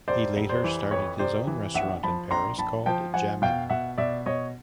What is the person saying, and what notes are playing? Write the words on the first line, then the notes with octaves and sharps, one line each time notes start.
He later started his own restaurant in Paris called "Jamin".
F1 C5 D5
F1
C5 D5
E3
F2 B4 C#5
C3 C5 D5
E3
A#1 E5 F#5
F3 A5 B5
A#1 A#5 C6
A#1 A5 B5
F3 G5 A5
F3 F#5 G#5
B2 F5 G5
B2 E5 F#5
B2 D5 E5
B2 C#5 D#5